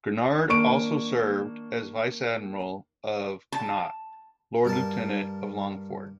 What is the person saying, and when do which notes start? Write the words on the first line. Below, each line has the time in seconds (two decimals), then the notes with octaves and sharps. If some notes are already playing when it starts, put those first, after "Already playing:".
Granard also served as Vice-Admiral of Connaught, Lord Lieutenant of Longford.
0.49 D#3 A#3 D4 C#6 D7
3.52 A5
4.65 G2 A#4 A5